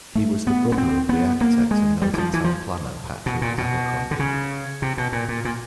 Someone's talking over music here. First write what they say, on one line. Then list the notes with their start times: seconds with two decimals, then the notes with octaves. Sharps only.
He was the brother of the architect and noted town planner, Patrick Abercrombie.
0.15 A3
0.47 B3
0.72 B3
0.78 C4
1.09 B3
1.41 A#3
1.71 G#3
2.02 G3
2.14 E3
2.18 F3
2.33 E3
2.44 F3
3.26 B2
3.42 A#2
3.58 B2
4.11 D3
4.19 C#3
4.82 C3
4.98 B2
5.12 A#2
5.28 A#2
5.45 A#2